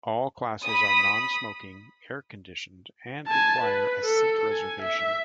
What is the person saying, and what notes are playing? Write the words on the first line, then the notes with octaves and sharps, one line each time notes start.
All classes are non-smoking, air conditioned, and require a seat reservation.
B5 D#6
G#5 A5
B4
A4
G#5
E5